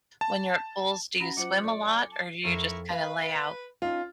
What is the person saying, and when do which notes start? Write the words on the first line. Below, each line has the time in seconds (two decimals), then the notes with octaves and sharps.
when you're at pools, do you swim a lot, or do you just kinda lay out?
0.21 A5
1.20 C#4 F#4 F#5 A#5 B5 A#6
1.37 F#3 F4 C5 F#5 D6 C#7
1.64 A4 D5
1.87 G#5 C6
2.11 A5
2.45 F2 E4 A#4 C#6
2.90 B4 F5 B5
3.82 C#4 D#4 F4